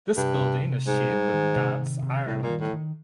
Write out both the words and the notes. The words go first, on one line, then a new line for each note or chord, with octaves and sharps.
This building is shared with Dance Ireland.
G2 C3
C3
C3
G#2 G3
G3
D#3
C3
D#3
C3
A2 G3
A#2
D#3
A2
D#3